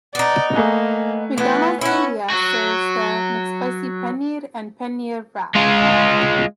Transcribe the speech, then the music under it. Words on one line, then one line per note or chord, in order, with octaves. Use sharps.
McDonald's India serves the McSpicy Paneer and Paneer Wrap.
B3 D#4 D5
A3 A#3 G#5 F#6
E3 B3
C#4 E4 F#4
F#3 F#4
G#3 F4